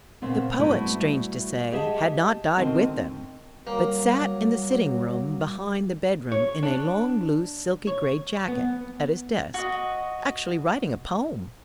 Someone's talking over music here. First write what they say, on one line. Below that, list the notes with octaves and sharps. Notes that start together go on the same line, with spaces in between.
The poet, strange to say, had not died with them, but sat in the sitting-room behind the bedroom in a long loose silky-grey jacket, at his desk--actually writing a poem!
A#2 C#3 B3 C4
G3 A3 B3 E4 F#4 B4
G4 G#4 D#5 E5 F#5 A5
D3 D#3 C4 F#4
F#3 G3 A#3
C#5
D4
C#5
B3
F#4 D#5